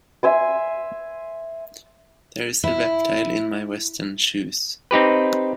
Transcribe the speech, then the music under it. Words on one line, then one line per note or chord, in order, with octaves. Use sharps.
There is a reptile in my western shoes.
E5 G#5 C6
E4
C4 D#4 G4 B4